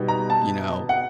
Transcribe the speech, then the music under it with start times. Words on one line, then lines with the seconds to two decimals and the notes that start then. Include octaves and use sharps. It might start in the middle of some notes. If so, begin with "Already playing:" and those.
you know,
Already playing: B2 G3 B3 D#4
0.08 A#5
0.30 A5
0.89 F#5